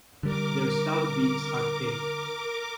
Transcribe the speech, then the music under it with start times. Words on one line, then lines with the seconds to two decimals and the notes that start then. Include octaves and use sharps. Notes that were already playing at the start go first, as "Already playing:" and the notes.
Their stout beaks are pink.
0.23 D3 G3 A#4 D6